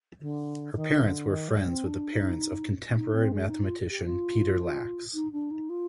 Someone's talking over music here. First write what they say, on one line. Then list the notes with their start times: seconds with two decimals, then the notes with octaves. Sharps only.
Her parents were friends with the parents of contemporary mathematician Peter Lax.
0.21 D3
0.76 D#3
1.03 D3
1.30 D#3
1.48 G3
1.67 C4
1.85 D4
2.12 D#4
2.94 D#4
3.14 C4
3.32 G#3
3.49 D#4
3.63 F4
3.90 G4
4.05 F4
5.14 D#4
5.32 D4
5.51 D#4
5.69 F4